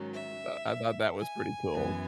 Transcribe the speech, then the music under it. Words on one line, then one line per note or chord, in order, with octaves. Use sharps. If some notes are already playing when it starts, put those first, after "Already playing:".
Uh, I thought that was pretty cool.
Already playing: G#2 D#3 F#3 C#4
E5
G#5
F#2 E3 B3